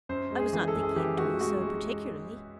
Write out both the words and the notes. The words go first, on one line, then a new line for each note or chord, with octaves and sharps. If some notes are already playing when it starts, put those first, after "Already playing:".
"I was not thinking of doing so particularly."
F#2 C5
G#3
G#4
E3 G#4
A4
F#2
G#4
E3 G4
G#3 F#4
G#3 F#4
G#3